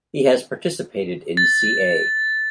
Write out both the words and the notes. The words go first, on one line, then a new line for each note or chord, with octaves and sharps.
He has participated in ca.
A6